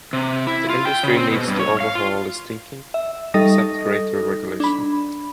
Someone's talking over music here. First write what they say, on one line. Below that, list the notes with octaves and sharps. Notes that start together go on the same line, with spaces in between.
The industry needs to overhaul its thinking, accept greater regulation.
C3
E4
F4
G5
C#3
C4
B2
G2
C#5
F5
F4
E5
G3 D#4 A4 D#5 D#6 A#6
D4 B5